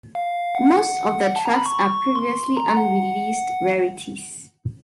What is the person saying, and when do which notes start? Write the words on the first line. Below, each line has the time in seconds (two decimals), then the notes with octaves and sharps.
Most of the tracks are previously unreleased rarities.
0.15 F5
0.55 F#5
1.36 A5
1.45 A#5
1.56 B5
1.66 C#6
2.15 C6
2.57 A#5
2.77 F#5